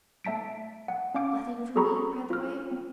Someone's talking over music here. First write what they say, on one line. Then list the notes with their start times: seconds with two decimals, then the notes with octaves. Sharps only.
Nothing for me, by-the-way?'
0.24 A3 E5 A5 B6 D7
0.88 F#5
1.14 C#4 F5 D6 D7
1.76 F#4 G#4 A4 A#5 B5 C#6
2.30 F4 F6
2.71 C4